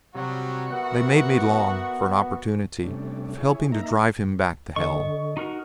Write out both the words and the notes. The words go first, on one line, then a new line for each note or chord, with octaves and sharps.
They made me long for an opportunity of helping to drive him back to hell.
C3 F#3 G3 F#4
B3 A#4 E5 F#5
C3 G3 A3 C#4 D4
E4 G#4 C#5
A#3 D#4 E5 A#5
D3 D#5 C#6
D#4 F#4 A#4